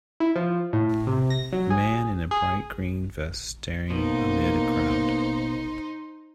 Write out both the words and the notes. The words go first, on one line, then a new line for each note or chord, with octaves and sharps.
Man in a bright green vest staring amid a crowd.
E4
F3
A2
C3
A#6
F#3
G#4
G#4
B2 A#3 D#4 C5